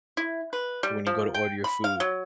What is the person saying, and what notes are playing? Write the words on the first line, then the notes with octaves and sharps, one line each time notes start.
when you go to order your food,
E4
B4
G3
F3
G5
B5
F5
F#3